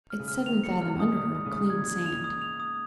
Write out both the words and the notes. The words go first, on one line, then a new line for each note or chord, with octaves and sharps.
It's seven fathom under her--clean sand.
F6
C#3
F6
D#3 F7
G#2 C#7
G#2 F6
A#2 D#6
A#2 D#6
G#2 D#6
C#3
A#2 D#6
G#6
G#6
F7
D#6
F7
D#6